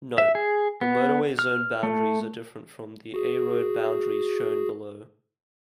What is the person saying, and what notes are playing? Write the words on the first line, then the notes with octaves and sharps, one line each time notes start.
Note: The motorway zone boundaries are different from the A-road boundaries shown below.
E5
G#4
B3
F6
A3
F#4 G#4